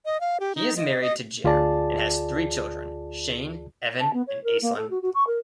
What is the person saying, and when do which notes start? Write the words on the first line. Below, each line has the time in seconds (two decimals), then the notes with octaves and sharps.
He is married to Ger and has three children - Shane, Evan and Aislinn.
0.05 D#5
0.20 F5
0.40 G4
0.55 D#4
0.77 D#5
1.01 D#5
1.44 D2 F4 G#4 D5 A5
4.00 A5
4.14 B3
4.27 C#5
4.44 A#4
4.62 A#3
4.77 A4
4.90 F#4
5.02 F#4
5.15 C#6
5.27 A#4